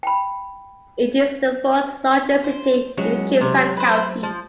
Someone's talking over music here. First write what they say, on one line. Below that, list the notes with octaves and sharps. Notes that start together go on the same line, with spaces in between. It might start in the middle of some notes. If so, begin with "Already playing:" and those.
It is the fourth largest city in Kitsap County.
G5 B5
C5
F#3 G#3 C#4 F#4
C3 C#5
B4 C5
F3